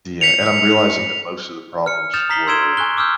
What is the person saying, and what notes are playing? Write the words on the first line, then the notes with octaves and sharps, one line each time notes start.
Yeah, and I'm realizing that most of the problems were
B6 C#7 F7
F6 C#7
D#6 F6 G6 A6 E7 F7
A#5 D#6 B6 C7 F#7 G7
C6 E6 G#6 D7 E7 G7
G#5 C#6 F#6 G7
D6 E6 F6 G6